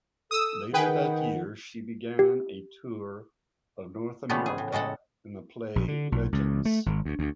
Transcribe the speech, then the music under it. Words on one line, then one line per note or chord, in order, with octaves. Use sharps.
Later that year, she began a tour of North America in the play Legends!
A4 D#6 E6
D#3 G#4 B4 F#5 G5
G4
C#3 E3 F3 G3 A3 B3
G#4
A2
A2 C#3 G#3 A4 F#5
A#1
D3
B1
C#2
A3
G#1
D2
D2